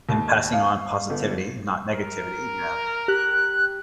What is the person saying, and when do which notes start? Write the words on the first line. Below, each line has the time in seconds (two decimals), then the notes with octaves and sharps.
in passing on positivity, not negativity, you know,
0.09 D#2
0.53 F5
1.10 G1
1.95 A#4
3.08 G4 F#6